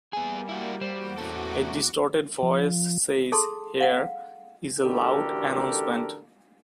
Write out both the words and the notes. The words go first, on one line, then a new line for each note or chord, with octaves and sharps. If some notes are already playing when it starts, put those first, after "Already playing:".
A distorted voice says Here is a loud announcement!
G3 A#3 B3 G#4 G#5
E4 F#4
E2 G3 F#4 C5 D6
A3 C#4 A4
F3
G#4 A4 A5 C6
F5 F#5
A1 D3 F#4 G4 A4 A#4